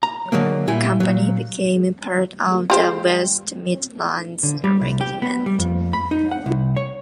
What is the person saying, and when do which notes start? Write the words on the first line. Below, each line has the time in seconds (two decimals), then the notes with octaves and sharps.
The company became part of the West Midlands Regiment.
0.03 A#5
0.32 D3 F#3 G#3 A#3
0.68 A#2 G3 E4 G#5
1.00 A#2 F#3
2.70 F4 G4 C5
4.43 D3
4.64 G3
4.81 C2
5.01 G4
5.22 B3
5.46 G3
5.59 F2
5.93 B5
6.11 D#4
6.31 F#5
6.46 C2
6.76 C#5